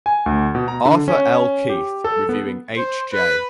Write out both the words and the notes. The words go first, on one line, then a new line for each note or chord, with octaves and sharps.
Arthur L. Keith, reviewing H. J.
G#5
D2
B2
A#5
D3
C#4
G4
A4
B3
C5
B4